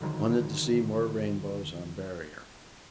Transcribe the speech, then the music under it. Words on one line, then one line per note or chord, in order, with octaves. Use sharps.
Wanted to see more rainbows on Barrier.
E1 D3 D#3 F#3